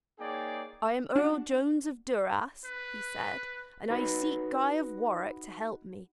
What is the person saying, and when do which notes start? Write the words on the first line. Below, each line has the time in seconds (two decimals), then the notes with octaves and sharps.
"I am Earl Jonas of Durras," he said, "and I seek Guy of Warwick to help me."
0.20 A#3 D#4 G#4 C#5 D5 G5
1.16 D4 F#4
2.65 B4
3.90 D#4 F#4 B4